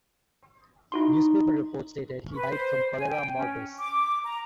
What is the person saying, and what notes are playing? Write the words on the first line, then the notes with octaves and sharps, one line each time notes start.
Newspaper reports stated he died from cholera morbus.
D#4 E4 F#4 C6
B4
C5
G#5
G5
C#4
D6
A#5